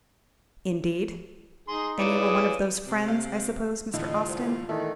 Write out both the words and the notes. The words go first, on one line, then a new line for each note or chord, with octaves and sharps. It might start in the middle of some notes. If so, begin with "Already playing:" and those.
"Indeed; and you are one of those friends, I suppose, Mr. Austin?"
D#4 G#4 C6
C#3 E4 B4 D5
G#4
C3
E5 F5
E2 A2 D3 F4 D#5
C2
A#2 D#3 E3 A3